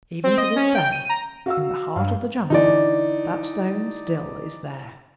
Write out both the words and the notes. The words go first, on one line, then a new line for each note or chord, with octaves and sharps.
And even to this day, in the heart of the Jungle, that stone still is there.
C4
D#5
C#4
G5
D#7
A#5
F#4 F5 E6
G2 F5
D3 E3 D#4 D5